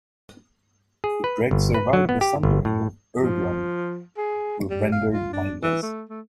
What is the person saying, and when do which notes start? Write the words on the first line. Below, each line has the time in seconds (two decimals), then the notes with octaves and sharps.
The Dreggs survived the sundering of Urgrund, but were rendered mindless.
1.04 G#4
1.24 B4
1.51 G1
1.74 B4
1.93 F#3
2.09 B3
2.21 G4
2.43 G1
2.65 A2
3.20 F3
4.17 G#4
4.71 G3
4.92 F5
5.13 F4
5.33 D4
5.63 E3
5.83 A3
6.09 A3